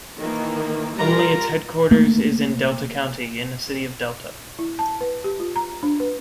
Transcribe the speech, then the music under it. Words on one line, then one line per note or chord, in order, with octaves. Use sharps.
Only its headquarters is in Delta County, in the city of Delta.
D#3 E3 A#3
G3 F4 A#4 A#5
A3 A#3
E4
A5
B4
G4
F4
A#5
D4
B4